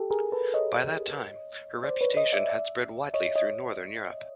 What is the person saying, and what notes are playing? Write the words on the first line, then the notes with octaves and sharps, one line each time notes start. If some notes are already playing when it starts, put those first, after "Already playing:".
By that time, her reputation had spread widely through Northern Europe.
Already playing: G4 A4
G#4 A#4
A4 B4
C#5 D#5
C5 D5
B4 C#5
C#5 D#5
D5 E5
D5 E5
C#5 D#5
C#5 D#5